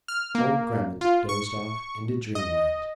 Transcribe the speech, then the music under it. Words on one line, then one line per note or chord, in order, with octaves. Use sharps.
Old Grammont dozed off into dreamland.
F6
A#3
F4
C#6
D#5